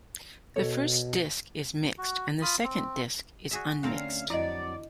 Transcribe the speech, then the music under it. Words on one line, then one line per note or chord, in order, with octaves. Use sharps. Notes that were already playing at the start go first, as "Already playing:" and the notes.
The first disc is mixed and the second disc is unmixed.
B2 A4 C#5
F#4
F4 B5 D#6
C4
F#4 G#4 E5
D3 A3 C4 C#4 A#4 F5
F2 F#3 E4 F#4 D5 D#5